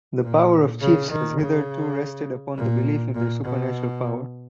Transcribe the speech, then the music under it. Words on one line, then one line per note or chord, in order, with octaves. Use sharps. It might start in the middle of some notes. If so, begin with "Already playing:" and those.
The power of chiefs has hitherto rested upon the belief in their supernatural power.
A#2
C#3
D#3
C#3
A#2
A#2
B2